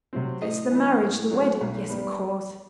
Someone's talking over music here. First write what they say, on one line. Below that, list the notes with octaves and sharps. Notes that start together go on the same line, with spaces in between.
It's the marriage, the wedding ... yes, of course.
C3 F#3 C4
A2 D#5
E3 B3
A2
F#3 A3 C4
B1
G3 B3